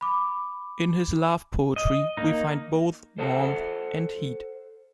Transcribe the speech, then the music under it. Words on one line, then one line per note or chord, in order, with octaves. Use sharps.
In his love poetry, we find both warmth and heat.
B5 D6
D#5
A#3 D#4
A4 C5 F#5 A5